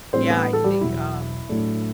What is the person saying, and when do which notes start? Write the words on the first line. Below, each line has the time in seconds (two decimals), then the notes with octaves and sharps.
Yeah, I think, um,
0.13 A2 E3 G3 C4 D4 C5
0.30 B3 B4
0.53 A4
0.64 G3 G4
0.81 E2 B2 F#3 E4
1.49 A2 F#3 A3 D4